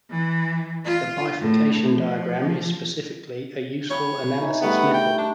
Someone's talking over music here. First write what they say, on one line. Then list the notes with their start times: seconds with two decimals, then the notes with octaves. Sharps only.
The bifurcation diagram is specifically a useful analysis method.
0.10 E3
0.85 F4
1.40 A2
1.93 F3
3.91 C#5 G5 B5
4.40 D#4 E5 G#5
4.62 G3 A3 B3
4.94 G5
5.18 D4